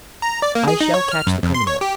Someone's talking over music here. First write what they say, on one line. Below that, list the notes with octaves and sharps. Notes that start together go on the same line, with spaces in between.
I shall catch the criminal.
A#5
D5
A#3
G#4
D#4
C#5
F6
F#2
F2
C6
C#5
G4